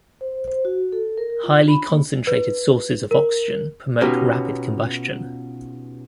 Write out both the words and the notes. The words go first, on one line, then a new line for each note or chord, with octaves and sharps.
Highly concentrated sources of oxygen promote rapid combustion.
C5
C5
F#4
A4
A#4
F4
B5
A#3
B4
A#4
B2 B3 C#4 D#4 F4 G4